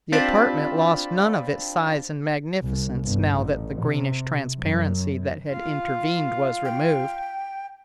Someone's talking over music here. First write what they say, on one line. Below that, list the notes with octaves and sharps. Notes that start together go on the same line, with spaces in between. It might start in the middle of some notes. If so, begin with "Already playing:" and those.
The apartment lost none of its size and magnificence now that the greenish transparency that had intervened was removed.
C4 D4 F4 G4 A5 B5
C2
G1
A1
C3
F#2
F4 F5
G5